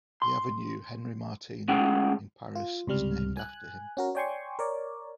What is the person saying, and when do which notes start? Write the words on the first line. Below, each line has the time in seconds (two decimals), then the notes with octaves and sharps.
The Avenue Henri-Martin in Paris is named after him.
0.22 C6
1.68 D2 G#3 C#4 F#5 G5
2.55 F4
2.87 C#2 C3 G3 F6
3.37 G#5 F#6
3.97 C#4 F#4 A#4
4.15 C#5 D5 G5 G#5 C6 C#6
4.59 A#4 C#5 D5